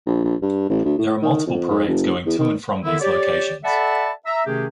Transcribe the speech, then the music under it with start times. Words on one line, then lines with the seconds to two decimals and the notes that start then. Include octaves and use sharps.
There are multiple parades going to and from these locations.
0.06 A#1
0.24 A#1
0.42 G2
0.69 A1
0.85 D2
0.98 A2
1.22 D#3
1.47 F2
1.70 G#2
1.88 F#1
2.26 E2
2.38 D#3
2.84 D3 D#3 E4
3.01 G4 C#5 D5
3.64 A4 D5 E5 F#5 A5 B5
4.26 E5 A#5 E6
4.46 C3 D#3 A3 C#4 G4 G#4